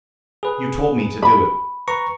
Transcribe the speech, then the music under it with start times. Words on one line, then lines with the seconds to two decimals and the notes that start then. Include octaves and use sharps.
"You told me to do it."
0.43 G#4 B4
1.23 B5
1.88 B4 A#5 C#6